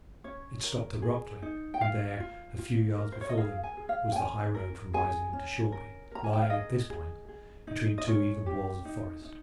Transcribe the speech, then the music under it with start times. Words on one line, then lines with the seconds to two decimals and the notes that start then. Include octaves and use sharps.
It stopped abruptly; and there, a few yards before them, was the high road from Risingham to Shoreby, lying, at this point, between two even walls of forest.
0.24 C#4 C#5
0.64 A#4
1.02 G#4
1.42 D#4
1.74 G5
1.81 F4 F5
2.20 F4
2.59 F4
2.98 A#4
3.12 C5
3.21 C#5
3.29 D#5
3.38 G#4 F5
3.63 G#5
3.77 G#4
3.89 F5
4.12 G5
4.15 C#4 G#5
4.54 A#4
4.93 G#4 G#5
5.33 C#4
5.72 A#4
6.11 A#4 A#5
6.24 G#5
6.33 G5
6.42 F5
6.50 G#4 D#5
6.90 G#4
7.29 G#4
7.67 D#4
7.98 D#5
8.07 C#4 C#5
8.46 G4
8.85 D#4
9.25 D#4